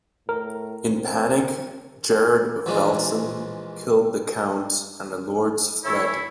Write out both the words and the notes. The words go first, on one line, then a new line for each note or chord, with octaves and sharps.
In panic Gerard of Velzen killed the count, and the lords fled.
A2 A#4
C4
A#1 E3 F3 G#3 D4
E3 E4 A4 C#5